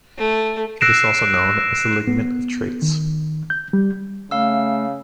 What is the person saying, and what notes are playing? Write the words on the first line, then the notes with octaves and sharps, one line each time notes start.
It is also known as the ligament of Treitz.
A3
E6 F#6 A#6 C7 D7 E7
B3
D#3
G6
G3
C#3 A3 F5 E6